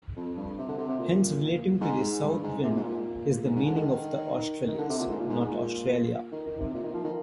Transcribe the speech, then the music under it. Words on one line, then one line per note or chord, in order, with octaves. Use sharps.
Hence relating to the south wind is the meaning of australis, not Australia.
F2
G2
C3
D3
C3
C3
A#2
G#2
G2
G#2
C3
A#2
G#2
A#2
G#2
G#2
D3
D#3
D#3
D3
C3
A#2
G#2
A#2
G#2
G#2
A#2
D#3
D#3
C3
A#2
D#3
F3
D#3